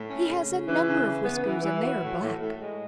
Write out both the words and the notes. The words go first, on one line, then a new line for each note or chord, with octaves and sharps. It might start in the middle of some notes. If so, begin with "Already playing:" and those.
He has a number of whiskers and they are black.
Already playing: A2
C#4
C#3
C#3
E3
C#3
C#3
B3
E3
E3
F#4
A2
A2
A2
G#3